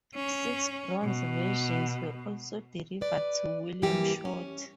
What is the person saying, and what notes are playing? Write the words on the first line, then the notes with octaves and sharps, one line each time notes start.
Six bronze versions were also delivered to William Short.
C#4
B2
B4 D5
G2 E3 G3 A#3 G4
C#4